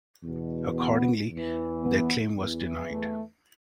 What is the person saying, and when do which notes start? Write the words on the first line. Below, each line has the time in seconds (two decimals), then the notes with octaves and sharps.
Accordingly, their claim was denied.
0.22 E2 B2
0.77 B3
1.30 E2 E3
1.83 B3
2.36 E2 E3
2.90 A3